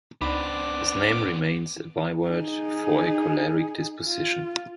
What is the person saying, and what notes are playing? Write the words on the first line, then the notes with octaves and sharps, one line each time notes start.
His name remains a byword for a choleric disposition.
C#2 B3 C4 D4 D#4 B5 D6
D#4 G#4
F4